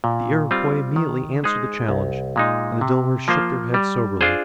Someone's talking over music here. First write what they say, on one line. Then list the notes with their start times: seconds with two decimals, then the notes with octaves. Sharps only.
The Iroquois immediately answered the challenge, and the Delawares shook their heads soberly.
0.04 A#2
0.51 G3 C4 F4
0.96 D#3
1.44 G#3 D#4 G#4 C5
1.89 C2
2.36 A#2 G#3 D#4
2.81 C3
3.28 F3 A#3 F4 C5
3.74 G3
4.21 D4 F4 G#4 C5